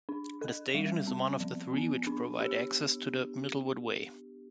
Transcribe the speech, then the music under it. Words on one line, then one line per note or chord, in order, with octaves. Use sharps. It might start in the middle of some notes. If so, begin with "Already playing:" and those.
The station is one of the three which provide access to the Middlewood Way.
D4
A4
G3
C4
F3
B3
D4
G4